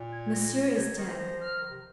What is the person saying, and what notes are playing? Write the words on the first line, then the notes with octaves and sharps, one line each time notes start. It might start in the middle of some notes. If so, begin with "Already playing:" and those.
"Monsieur is dead."
Already playing: A#2
G#6
A#6
A#6
C3 G#6
D#3 A#6
F3
A#6
F6
D#3
C3